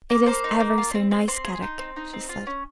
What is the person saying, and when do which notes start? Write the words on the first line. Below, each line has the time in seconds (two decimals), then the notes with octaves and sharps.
"It is ever so nice, Kadok," she said.
0.10 A#3
0.26 A#3 C5
0.44 D#4
0.60 A#3
0.78 F4
0.95 C4
1.11 C4
1.28 C4 C6
1.45 G#4
1.62 D#4
1.79 C4
1.96 D#4
2.13 C4
2.29 F4
2.47 C#4